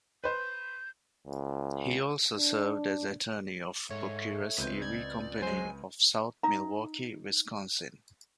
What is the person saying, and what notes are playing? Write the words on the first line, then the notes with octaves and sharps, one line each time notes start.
He also served as attorney of Bucyrus Erie Company of South Milwaukee, Wisconsin.
B4 C5 G6
C#2
D4
G#2 A3 C#5
C#2 C4 B4 G6
D5 G#6
F#3 G#3 C5 G#5
D#4 A#5